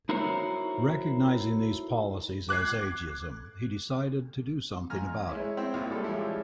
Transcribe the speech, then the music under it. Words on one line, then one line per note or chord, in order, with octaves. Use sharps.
Recognizing these policies as ageism, he decided to do something about it.
D#4 E4 F#4 A#4 C5 C#5
D6 F#6 G#6 C7
F2 G#5 A#5 F6
G#3 C#4 E4
C4 E4 G5
C2 A#2
G3 G#3 A4
F3 G3 G#3 C#4 E4